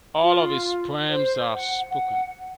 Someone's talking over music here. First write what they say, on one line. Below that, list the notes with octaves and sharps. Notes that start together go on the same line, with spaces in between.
All of his poems are spoken.
F4
C5
F#5
F#5